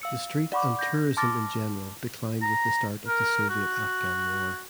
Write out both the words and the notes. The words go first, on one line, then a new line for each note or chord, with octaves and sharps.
The street and tourism in general declined with the start of the Soviet–Afghan War.
F5 E6 C#7
D5 F#5 B5 C#6 D6
G6 A#6
A5 C6 D6 F6 A6 A#6
A#5
A#4
F#4